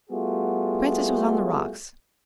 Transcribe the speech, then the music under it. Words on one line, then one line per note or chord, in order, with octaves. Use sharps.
Francis was on the rocks.
G3 A3 B3 F4 F#4 G#4